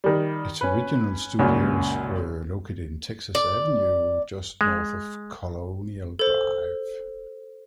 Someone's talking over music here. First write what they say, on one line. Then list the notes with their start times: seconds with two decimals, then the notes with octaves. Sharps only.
Its original studios were located on Texas Avenue, just north of Colonial Drive.
0.04 D#3 G3
0.61 C#4 B4
1.39 C#2 F#2 A#2
3.35 D5
4.61 G#3
6.19 A4 C5